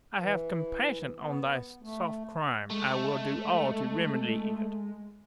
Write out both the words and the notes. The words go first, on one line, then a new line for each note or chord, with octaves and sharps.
I have compassion on thy soft crime--I will do all to remedy it.
E3
B3
A3
G#3 A3